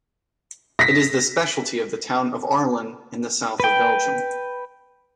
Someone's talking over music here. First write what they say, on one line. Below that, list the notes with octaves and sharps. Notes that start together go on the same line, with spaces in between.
It is the specialty of the town of Arlon, in the south of Belgium.
A#6 B6
B4 G5